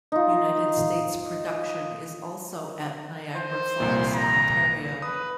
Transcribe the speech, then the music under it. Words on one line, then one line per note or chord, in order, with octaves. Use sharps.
United States production is also at Niagara Falls, Ontario.
D#4 F4
C5
C2 F2 A#2
A#5
B4 D#6